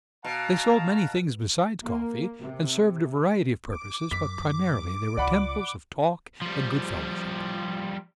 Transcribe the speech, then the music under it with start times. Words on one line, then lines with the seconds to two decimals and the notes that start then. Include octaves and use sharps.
They sold many things besides coffee, and served a variety of purposes, but primarily they were temples of talk and good-fellowship.
0.25 B2 F5 A5 A#5
1.84 A#3
2.42 C3
3.70 D6
4.11 F#2 B6
5.17 C#2 D5 F#5 B5
6.42 F3 G3